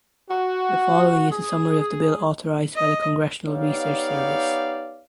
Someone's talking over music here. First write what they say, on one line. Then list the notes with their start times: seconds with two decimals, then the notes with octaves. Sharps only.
The following is the summary of the bill authorized by the Congressional Research Service.
0.30 F#4
1.30 G#4
2.75 D#5
3.48 B3 D#4 G4 C#5 D5 F5